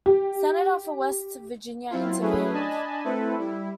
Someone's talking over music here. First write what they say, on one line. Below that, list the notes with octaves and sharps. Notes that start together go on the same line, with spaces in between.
Senator for West Virginia, intervened.
G4
F#3 C4 E4 F4
F#3 A3 C#4 E4 G#4 B4
D4 D#5 G#5 A5 B5
A3 C4 E4 A4 B4
G3 E4